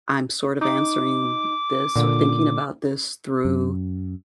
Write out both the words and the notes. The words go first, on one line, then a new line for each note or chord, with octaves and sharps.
I'm sort of answering this or thinking about this through,
D#4 D6
A#2 D3
F#2